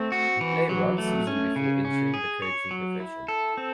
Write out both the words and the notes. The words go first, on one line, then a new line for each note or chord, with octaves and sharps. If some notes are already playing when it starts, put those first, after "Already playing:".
He played one season before entering the coaching profession.
Already playing: A3 C4
F#4
E3
F#3
A3
C#4
C#3
C#4
G#4
C#5
F#3
E4
A4
C4